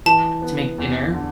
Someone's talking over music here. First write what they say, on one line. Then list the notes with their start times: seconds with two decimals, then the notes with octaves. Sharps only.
to make dinner,
0.06 E3 A5
0.42 B3
0.78 E2
1.14 D3